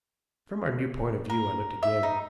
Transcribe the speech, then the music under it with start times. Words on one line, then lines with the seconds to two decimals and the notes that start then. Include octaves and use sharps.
From our new point of view I looked again.
1.30 A#4
1.83 E5
2.03 D#4